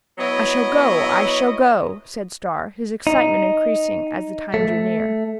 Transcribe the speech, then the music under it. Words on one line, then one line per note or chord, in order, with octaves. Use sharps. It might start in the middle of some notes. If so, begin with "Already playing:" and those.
"I shall go, I shall go!" said Starr, his excitement increasing as the time drew near.
F#3 B3 E4 C#5 D#5
D#4
A3